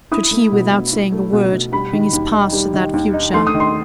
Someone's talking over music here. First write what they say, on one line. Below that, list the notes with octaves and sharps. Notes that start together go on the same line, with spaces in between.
Should he, without saying a word, bring his past to that future?
E4 D#6
A3
B2
B2
E4
A3
B2
B2
G3 B5
D#3
D#2
D#4
G3
D#3
D#2
D#4
A3 C6
D#6
D#3
C6